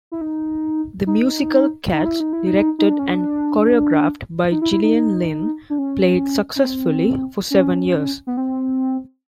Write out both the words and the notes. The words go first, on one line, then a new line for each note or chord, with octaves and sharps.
The musical "Cats" directed and choreographed by Gillian Lynne played successfully for seven years.
E4
D#4
D#4
D#4
E4
D#4
E4
D#4
D#4
D4
C#4
D4
D#4
E4
E4
D#4
D4
C#4
C#4
C4
C#4
B3
C4